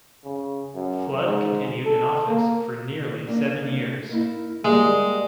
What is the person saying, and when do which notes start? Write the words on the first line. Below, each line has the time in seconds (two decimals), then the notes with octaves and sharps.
Flood continued in office for nearly seven years.
0.24 C#3
0.74 F#2
1.24 G#2
1.85 A4
2.27 A#3
3.27 A#3 D4
4.09 A#3 D#4 E4
4.65 G3 G#3 A#3